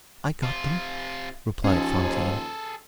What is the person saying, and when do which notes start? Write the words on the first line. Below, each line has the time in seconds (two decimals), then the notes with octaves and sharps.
"I got them," replied Fantine.
0.43 C3 F4
1.64 D#2 F3 C#4 G#4 A4